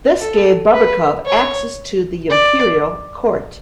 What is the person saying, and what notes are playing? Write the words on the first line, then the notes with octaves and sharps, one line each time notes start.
This gave Bobrikov access to the Imperial court.
A4
B4
C#5
D5